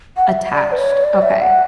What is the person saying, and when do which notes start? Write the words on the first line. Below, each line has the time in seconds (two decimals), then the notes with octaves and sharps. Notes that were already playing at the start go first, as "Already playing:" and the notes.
Attached, okay.
0.17 F#5
0.28 E5
0.52 D5
0.72 B4
0.78 C#5
1.04 D5
1.22 E5
1.42 F#5